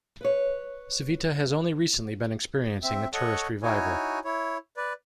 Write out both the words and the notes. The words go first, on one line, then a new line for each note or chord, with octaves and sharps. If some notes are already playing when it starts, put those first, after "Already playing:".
Civita has only recently been experiencing a tourist revival.
B4 C#5
C4 E5
A4 C#5 D#5 F#5 C#6
D#4 E4 F#4 C#5 G#5
E4 C#5
B4 D5